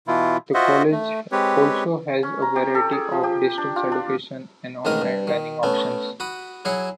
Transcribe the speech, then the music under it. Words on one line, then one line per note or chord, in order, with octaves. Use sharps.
The college also has a variety of distance education and online learning options.
B2 E3 E4 F4
F4 F#4 C5 D#5 E5 F#5
A3
G#3 C4 G4 B4 C#5
C#4
A#5
G4
A4
G#4
F3
G4
D4
F4
D4
A1 G#2 D#3 G#3 A#4 D#6
G2
D#3
A3 B3 C#4
F#4 B5 D#6
F#3 E4 F#4 G#4 C#5